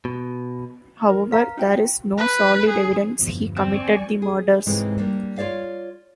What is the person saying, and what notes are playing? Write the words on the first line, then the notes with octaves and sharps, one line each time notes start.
However, there is no solid evidence he committed the murders.
B2
A#4
B4 F5 A#5
D#4 F#4 G5
B4
G#4
G1 E2 F3
C4 D5 G#5 C#6
G#4
G#2 C3 E3 G#3 A3 C#4
G3 A#3 D4
F4 G4 C#5 D5 F5